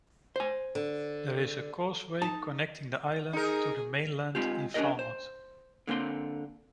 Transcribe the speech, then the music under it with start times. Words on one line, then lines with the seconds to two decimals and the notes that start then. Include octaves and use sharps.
There is a causeway connecting the island to the mainland in Falmouth.
0.36 C5 G#5
0.75 D3
2.22 D#4 A5
3.33 D#4 G#4 A#4
4.35 G#3 C4 F4 G4
4.74 C#4 D4 F4 G4 A#4 D#5
4.99 C5
5.87 D3 A#3 C4 C6